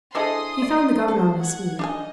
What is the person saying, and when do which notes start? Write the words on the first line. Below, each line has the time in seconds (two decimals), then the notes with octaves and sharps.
He found the governor on his feet.
0.15 D4 E4 G#4 A4 C5 D#5 C6 D#6
0.62 D5
1.08 A4 C5
1.41 F#5 G#6
1.79 D4 D#4 D#5 G#5